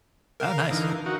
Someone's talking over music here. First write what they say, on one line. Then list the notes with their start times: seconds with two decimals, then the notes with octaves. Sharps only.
Oh, nice.
0.40 A#4 F5
0.71 D3 E3 D#4
1.06 D#4 F#4